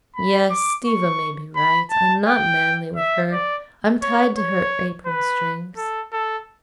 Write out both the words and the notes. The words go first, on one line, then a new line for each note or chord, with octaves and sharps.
Yes, Stiva may be right, I'm not manly with her, I'm tied to her apron-strings....
B5
D6
C#6
B5
A5
G5
E5
D5
C#5
C#5
B4
A4
A4